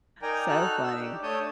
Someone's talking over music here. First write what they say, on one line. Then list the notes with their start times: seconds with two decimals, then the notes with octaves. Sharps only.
so funny.
0.22 D#4 A#4 D5 G5 G#5 A#5
0.48 D#4 F#4 A4 F6 F#6
0.83 D4 D#4 E6
1.01 D4 G4
1.23 A3 D4 C#5 A5 D#6 G6